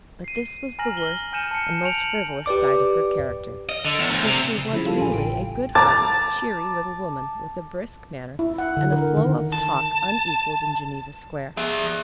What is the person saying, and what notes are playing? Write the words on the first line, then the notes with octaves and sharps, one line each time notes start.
But this was the worst and most frivolous side of her character, for she was really a good-hearted, cheery little woman, with a brisk manner, and a flow of talk unequalled in Geneva Square.
C7 D#7
G#5 A#5 F6 A#6 F#7
G7
G#5 F6 G6 C#7 D#7 E7
A5 C#7
G#5 G6 C#7 D7 F7 F#7
G4 B4 D5 D6
D#5
D3
E2
D2
C3
C#3
C#3 F3 E4
G3 F4 A4
A1 G#5
G5
A5 A#5 D6
E4
F#5
D3
A#4
D#3
A5
G#4 E5